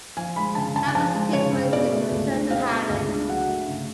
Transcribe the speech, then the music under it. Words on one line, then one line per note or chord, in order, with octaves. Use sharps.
Thomas Theisman is returned to Haven.
F3 G#5
G#3 B5
C#3 A5
C#3 A5
G#5
F3 A5
G#3
C#3 C#5
C#3
B2 D5
A3
C#2
D4
B2 F5
A3
C#2
D4
F#3 F#5
A3
C#3